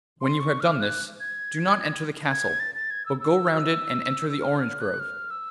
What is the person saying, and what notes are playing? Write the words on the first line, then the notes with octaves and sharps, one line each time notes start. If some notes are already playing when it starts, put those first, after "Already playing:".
When you have done this, do not enter the castle, but go round it and enter the orange grove.
C6
C#6
F6
F#6
G#6
G#6
A6
A6
G#6
E6
E6
E6
F6
F6
F#6
F6
E6